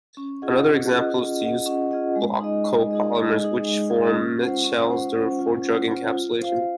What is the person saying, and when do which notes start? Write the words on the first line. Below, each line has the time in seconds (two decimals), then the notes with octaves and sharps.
Another example is to use block co-polymers, which form micelles for drug encapsulation.
0.17 C#4
0.42 F4 G#4 D#5 F#5
0.67 C#4
0.92 F4 G#4 D#5 F#5
1.16 C#4
1.41 F4 G#4 D#5 F#5
1.66 C#4
1.91 F4 G#4 D#5 F#5
2.16 G#3
2.40 D#4 G#4 D#5
2.65 G#3
2.91 D#4 G#4 D#5
3.15 G#3
3.40 D#4 G#4 D#5
3.65 G#3
3.90 D#4 G#4 D#5
4.15 C#4
4.40 F4 C5 F#5
4.64 C#4
4.90 F4 C5 F#5
5.14 C#4
5.39 F4 C5 F#5
5.64 C#4
5.89 F4 C5 F#5
6.14 F4
6.39 C5 F5